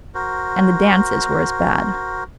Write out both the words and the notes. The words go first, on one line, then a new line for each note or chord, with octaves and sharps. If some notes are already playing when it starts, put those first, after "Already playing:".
And the dances were as bad.
F#4 A#4 C5